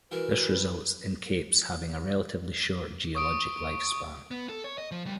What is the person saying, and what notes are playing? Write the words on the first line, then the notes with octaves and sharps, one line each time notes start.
This results in capes having a relatively short geologic lifespan.
E3 F#4 A#4 B4
C#6 D#6 D7
B3
A4
C#5
D#5
F3
C#2 G3